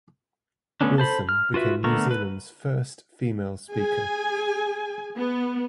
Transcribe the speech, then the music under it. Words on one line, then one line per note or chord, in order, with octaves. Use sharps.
Wilson became New Zealand's first female speaker.
D3 A3 B3 C#4 D4
A4 C5 B5
F6
F4 F#4 B4 E5
D3 A3 B3 A#4 C#6
B4
G#4 G#5
B3